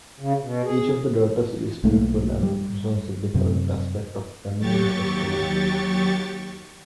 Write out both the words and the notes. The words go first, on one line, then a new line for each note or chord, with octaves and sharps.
Each of the daughters is beautiful and represents a different aspect of feminine sexuality.
C#3
B2
G#4
B1 A3 A#3
G3
F#2 C3
D#2 F#3 G4 C#6 A6